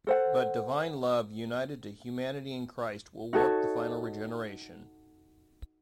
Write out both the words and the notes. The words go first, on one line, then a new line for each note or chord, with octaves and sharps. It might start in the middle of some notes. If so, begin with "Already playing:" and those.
But divine love, united to humanity in Christ, will work the final regeneration.
A4 C5 F#5
D#4 F#4 A4 C#5